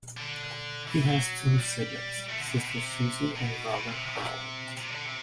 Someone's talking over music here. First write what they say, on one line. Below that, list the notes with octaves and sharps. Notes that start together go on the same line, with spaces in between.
He has two siblings: sister Susie and brother Howard.
D3
E3
F#3
G3
A3
D3
C3
B2
C3
B2
B2
C3
C3
C3
D3
C3